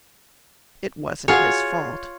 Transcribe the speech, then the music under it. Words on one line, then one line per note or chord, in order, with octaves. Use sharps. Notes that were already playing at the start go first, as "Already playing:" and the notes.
It wasn't his fault.
F4 F#4 G#4 C#5